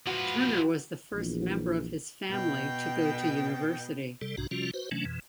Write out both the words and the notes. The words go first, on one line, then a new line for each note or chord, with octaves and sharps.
Turner was the first member of his family to go to university.
F3 F#4 B4
A#1 E2
B2 G5
C3 G3 A4
B1 G#2 C3 D4 F#4 A#5
C3 F3 G3 C#4 F4 F#4
F#4 B4 C5
C3 E3 F#3 A3 C#4 D4
F2 B2 E3